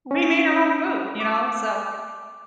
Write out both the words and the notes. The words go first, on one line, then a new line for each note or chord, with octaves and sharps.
we we made our own food, you know, so
C#4
D6